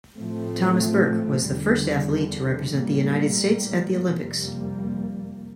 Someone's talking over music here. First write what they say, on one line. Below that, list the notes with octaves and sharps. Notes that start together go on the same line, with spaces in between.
Thomas Burke was the first athlete to represent the United States at the Olympics.
A2 F3 A3 C4
E2 D3 G3
A2 G3 A#3
F2 C3 G3 A#3